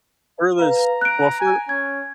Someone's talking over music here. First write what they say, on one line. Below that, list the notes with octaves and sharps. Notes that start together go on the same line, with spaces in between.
Furthest well, fur
B4 F5 A#5
F#6 D7
G#5
C#4 G#6